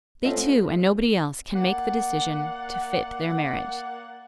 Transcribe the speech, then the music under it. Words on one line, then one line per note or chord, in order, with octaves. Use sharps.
They two, and nobody else, can make the decision to fit their marriage.
A3 C4 C#4 F4 D#5 F#5
A#3 D5 F#5